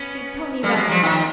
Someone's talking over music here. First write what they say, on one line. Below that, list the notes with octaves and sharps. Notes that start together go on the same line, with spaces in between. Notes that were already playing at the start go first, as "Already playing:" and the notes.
He told me about the cheque.
Already playing: B3 C#4
G3 A3
F#3 G#3
F3 G3
D#3 F3